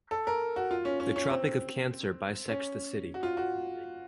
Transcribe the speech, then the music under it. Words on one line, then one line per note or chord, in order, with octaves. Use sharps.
The Tropic of Cancer bisects the city.
A4
A#4
F#4
F4
C#4
C#4
C#4
C4
C#4
F#4
F4
F#4